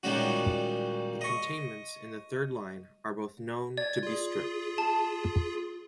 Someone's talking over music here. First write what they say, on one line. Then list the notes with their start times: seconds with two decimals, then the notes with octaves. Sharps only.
The containments in the third line are both known to be strict.
0.03 A#2 D#3 G3 G#3 C#4 F#4
1.21 D#5 C#6
3.77 D5 G#6
4.03 F4 G#4
4.78 A5